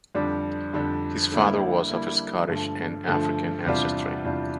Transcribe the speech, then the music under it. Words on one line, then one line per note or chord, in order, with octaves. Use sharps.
His father was of Scottish and African ancestry.
F2 D3 G3 D4
F2 D3 G3 D4
D3 G3 A#3 E4
D3 G3 A#3 E4
G2 D3 F3 A3
G2 D3 F3 A3
E2 C3 G3 D4 F4
E2 C3 G3 D4 F4